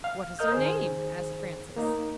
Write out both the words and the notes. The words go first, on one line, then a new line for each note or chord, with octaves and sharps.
"What is her name?" asked Francis.
F5
A#4 D#5 D#6 F6 G6
D#3 G#4 C5
A#3 D#4